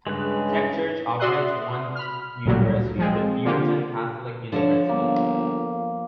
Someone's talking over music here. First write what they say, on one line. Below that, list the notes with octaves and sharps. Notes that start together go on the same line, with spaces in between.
The Church operates one university, the Fu Jen Catholic University.
G2 C#3 G#3 B4 F#6
F#4 D5 E5 C6 D#6 F#6
B5 F6
A1 D2 A#2 F#3 G3
F3 G#3 C4
D3 F3 A#3 F4 G4
D3 F3 A4 C#5
G1 A#3